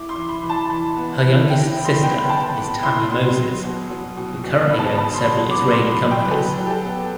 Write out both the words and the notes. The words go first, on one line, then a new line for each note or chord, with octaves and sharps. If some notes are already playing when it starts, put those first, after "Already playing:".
Her youngest sister is Tammy Mozes, who currently owns several Israeli companies.
Already playing: E4 D6
C6
E3
B5
E3
A5
E3
B3
E3
E4 G5
E4 B5
C6
B5
B3 G5
B3 A5
B3 B5
E4 C6
B3 C6
F#3
B2
F#3
B2
B2
B3 B5
A5
B5
B2 A5
C6
F#3 B5
B3 D6
D6
C6
F#3
B5
F#3
G5
B4
F#3 A4
F#3
G4
A4
B3